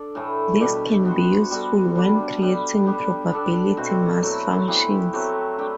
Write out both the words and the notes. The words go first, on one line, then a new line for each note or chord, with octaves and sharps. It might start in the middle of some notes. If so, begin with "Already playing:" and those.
This can be useful when creating probability mass functions.
Already playing: D4 A4 D5
A2 E3 A3
B2 G3 D4 G4
B3 F#4 C5
G3 B3 F#4 A4
D3 G3 D4
G3 B3 D4 G4
G3 B3 D4 G4
B3 D4 A4 D5
B2 A3 C4 F#4
F#3 A3 E4
E3 B3 E4 G4
F#3 A3 C4 G4
A3 D4 G4 B4